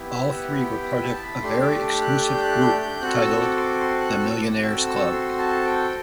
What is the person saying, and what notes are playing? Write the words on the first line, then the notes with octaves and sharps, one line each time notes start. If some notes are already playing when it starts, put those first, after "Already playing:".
All three were part of a very exclusive group titled "the Millionaires' Club".
Already playing: B3 E4 G4
E5
E5
F#5
G5
B5
G5
A5
B5
A3 D4 G4 C6
D6
F#6
G6
F#6
G6
G6
C4 F#4 A4 F#6
E6
D6
C6
D6
C6
F#6
E6
D6
C4 F#4 A4 E6
E6
C6
A5
G5